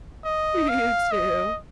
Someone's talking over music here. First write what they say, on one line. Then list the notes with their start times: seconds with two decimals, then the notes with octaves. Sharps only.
You too.
0.25 D#5
0.69 F5
1.12 D#5